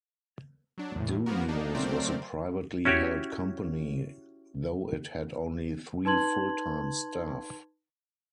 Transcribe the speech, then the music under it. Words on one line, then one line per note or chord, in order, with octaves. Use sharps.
DoNews was a privately held company, though it had only three full-time staff.
F#3 D4
E2 A2
F3 A#3 B3 F#4 A#4
A#3 D4 D#4
F#3 A3 C4 A#4 C5 D5
C#4 E4 F#4 G4 C#5
D#4 B4 A5 C6 G#6 F#7